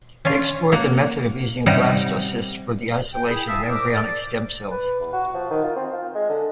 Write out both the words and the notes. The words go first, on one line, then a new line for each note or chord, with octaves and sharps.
They explored the method of using blastocysts for the isolation of embryonic stem cells.
C#4 D4 F4
A#3 F#5
C3 G3 D#4 F#5
G5
E4 G#4
E5 F5 A5 B5 D#6 E6
A#4 C5 D5 D6
D5
B4
E2
F#4
F3
D#3
F4
C4
F4
G#3
D3